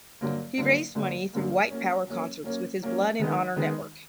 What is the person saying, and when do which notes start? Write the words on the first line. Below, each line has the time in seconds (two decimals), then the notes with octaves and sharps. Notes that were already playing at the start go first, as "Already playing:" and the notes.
He raised money through white power concerts with his Blood and Honour network.
0.21 G2 D3 F#3 A#3
0.58 G2 D3 F#3 A#3
0.95 G2 D3 F#3 A#3
1.33 G2 D3 F#3 A#3
1.70 F#3 A#3 C#4
2.07 F#3 A#3 C#4
2.44 F#3 A#3 C#4
2.82 F#3 A#3 C#4
3.19 D#3 G#3 B3 D#4
3.56 D#3 G#3 B3 D#4